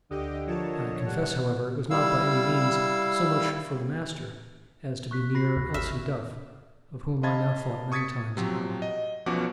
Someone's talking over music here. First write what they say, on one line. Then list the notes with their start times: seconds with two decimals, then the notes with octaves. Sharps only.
I confess, however, it was not by any means so much for the master as to be near Elsie Duff, of whom I now thought many times an hour.
0.11 D2 D3 G4 D#5 G5 D#6
0.47 F3 F4 A#4 C#5 D#5 A5
1.07 G3 F#5
1.90 G3 E4 F5 E6
5.11 C#6 F#6 B6
5.35 F#4 B5 A#6 C7
5.56 D#2 G#2 C#3
5.74 G#1 E5 F6
7.23 D#5 F5 A5 B5 G#6 A6
7.92 C#6 D#6 G#6 A6 B6 C#7
8.37 C3 F3 F#3 C4
8.82 D#5
9.26 B1 B2 F3 C#4 F#4 D6